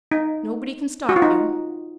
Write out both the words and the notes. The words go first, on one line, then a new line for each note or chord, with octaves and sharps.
Nobody can stop you.
D#4
F#4
F4
D#4